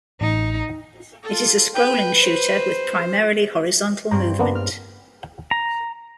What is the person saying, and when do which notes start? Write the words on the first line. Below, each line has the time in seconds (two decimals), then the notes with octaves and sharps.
It is a scrolling shooter with primarily horizontal movement.
0.21 A1 D#4
1.23 F4 A4
1.75 B4 G5 G6
2.21 C5
4.11 G2 C4 A#5
4.39 A#3 B3 D4
4.55 F6
5.51 A#5